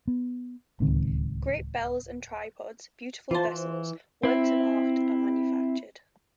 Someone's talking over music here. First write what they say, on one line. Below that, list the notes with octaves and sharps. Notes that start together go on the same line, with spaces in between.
Great bells and tripods, beautiful vessels, works of art are manufactured.
B3
D1 C#2 D#3 C4
E3 F4 C5 A5
E3
C4 E4